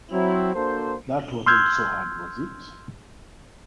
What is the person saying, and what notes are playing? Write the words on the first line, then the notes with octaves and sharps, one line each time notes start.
That wasn't so hard, was it?
F#3 C4 E4
A#3 D4 F#4 A4 C5
C6 E6 F6 G6 G#6